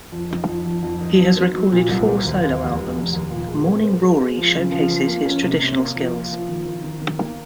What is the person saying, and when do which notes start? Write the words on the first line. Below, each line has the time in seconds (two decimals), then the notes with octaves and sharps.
He has recorded four solo albums: "Morning Rory" showcases his traditional skills.
0.12 F2
0.30 D#4
0.48 F2
0.66 F2
0.83 F2
1.01 D#4
1.19 F#3
1.37 C4
1.54 F#3
1.72 A#2
1.89 C2
2.07 C4
2.25 D#2
2.43 D#2
2.61 F1
2.78 F1
2.95 F1
3.13 D#2
3.30 A#2
3.48 G#3
3.67 C4
3.84 C4
4.02 G#3
4.20 G#3
4.37 F3
4.55 C#3
4.72 F3
4.90 F3
5.07 A#3
5.26 C#4
5.43 C3
5.61 C3
5.78 A#3
5.95 F3
6.14 F4
6.32 F3
6.49 D#3
6.66 D#3
6.84 D#3
7.02 D#3
7.20 A#3